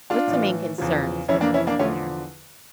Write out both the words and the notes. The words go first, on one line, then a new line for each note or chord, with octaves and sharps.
What's the main concerns with them living there?
D4 F4
A2 E3
E2 C#3 F3
F2 E3 C#4 E4
A#3 D4
C#4 E4
A#3 D4
E2 D3 F3 A3 C#4